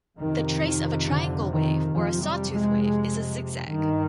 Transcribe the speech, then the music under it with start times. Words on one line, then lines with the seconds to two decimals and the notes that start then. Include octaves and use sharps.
The trace of a triangle wave or a sawtooth wave is a zigzag.
0.19 F2 C3 D#3
0.62 D#3
1.07 D3
1.51 D#3
1.94 F2 C3 F3
2.22 G3
2.52 G#3
3.68 G2 D#3